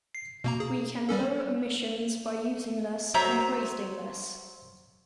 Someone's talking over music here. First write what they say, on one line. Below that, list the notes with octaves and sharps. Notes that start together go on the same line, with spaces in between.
We can lower emissions by using less and wasting less.
C7
B2 A#3 A#5
G#4
G3 C#4 A4
F#3 C5 E5 A#5